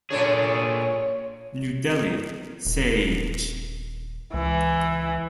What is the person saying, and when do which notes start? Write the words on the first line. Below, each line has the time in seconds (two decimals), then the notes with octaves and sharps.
New Delhi: Sage.
0.11 A#2 C#3 D4 G#4 A4 C#5
2.65 D#1
4.34 C#2 E3